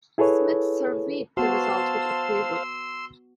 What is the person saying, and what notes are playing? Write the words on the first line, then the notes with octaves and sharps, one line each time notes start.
Smith surveyed the result with approval.
E4 G#4 A4 B4 C#5
B3 F#4 C5 F5 A5 C6 E6